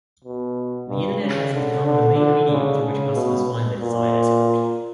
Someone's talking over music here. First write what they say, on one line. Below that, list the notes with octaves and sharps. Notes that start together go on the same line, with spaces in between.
The internet has become the main medium through which customers find their desired escort.
B2
G2
C#3
D3
D3
D3
C#3
C#3
B2
A#2